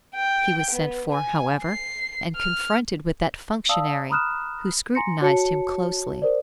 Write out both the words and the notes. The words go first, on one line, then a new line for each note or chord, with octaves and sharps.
He was sent for, however, and confronted with that functionary, who scrutinized him closely.
G5
B3
G#5
C7
F6
D5 F5 A5 D#6 E6
A#5 B5 D#6 F6 F#6 E7
G#5 A#5 C6 A#6 C#7
F#4 C#5 A5 C#7
A#4 C5 D5